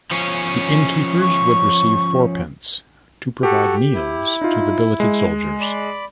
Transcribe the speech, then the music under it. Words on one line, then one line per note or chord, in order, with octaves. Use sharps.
The inn-keepers would receive fourpence to provide meals to the billeted soldiers.
F3 C#4
C#6
F#4 G4 A4
E4
D#4 F4
G#3
D5 B5